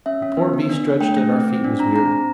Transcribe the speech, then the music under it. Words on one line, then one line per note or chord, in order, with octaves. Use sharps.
The poor beast stretched at our feet was weary.
C#4 E5
C#4
B3
B3
D4
D4
A3 G5
A3
C4
C4
D4
D4 A#5
C4 A#5
C4